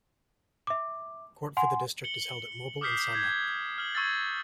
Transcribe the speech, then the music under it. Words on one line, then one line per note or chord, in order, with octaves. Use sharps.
Court for the District is held at Mobile and Selma.
E5 D6
F#5 G#5 C6
C#7 F#7 G7
D6 D#6 F6 G6 B6 C7
G6 G#6
F6 F#7
C#6 E6 G#6 A6